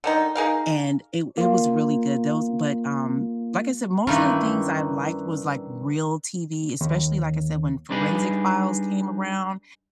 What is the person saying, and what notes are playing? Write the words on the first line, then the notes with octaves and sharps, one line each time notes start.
and it it was really good. Those but, um, like I said, most of the things I liked was, like, real TV, especially like I said, when Forensic Files came around
D3 D#3 D#4
D#4 G#4 A#4 F5
A#3 F4
G2 D#3 E3 C#4
D#2
G3 D4 D#4 G#4 B4